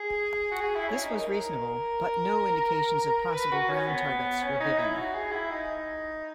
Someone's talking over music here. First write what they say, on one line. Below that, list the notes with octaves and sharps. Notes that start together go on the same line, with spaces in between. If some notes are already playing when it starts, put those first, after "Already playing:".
This was reasonable, but no indications of possible ground targets were given.
Already playing: G#4
F#4
G#4
E4
C#4
D#4
A#4
B4
F#4
C#4
B3
C#4
D#4
E4
F#4
G#4
E4
D#4